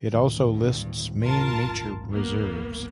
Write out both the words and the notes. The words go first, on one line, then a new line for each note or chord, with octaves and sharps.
It also lists main nature reserves.
D2 A2 D#3
G2
F4 A#4 A5
D1 G#1 G#2
A#3 B3